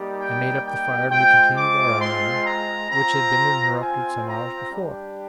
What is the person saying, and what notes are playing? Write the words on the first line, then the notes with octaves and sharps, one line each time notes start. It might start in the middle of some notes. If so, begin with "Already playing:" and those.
I made up the fire and we continued our ironing, which had been interrupted some hours before.
Already playing: G3 A#3 D#4 G4
G5
G5
G#3 C4 F4 G5
D6
C6
A#5
C4 A#5
F4
G#5
A#5
G3 D4 G4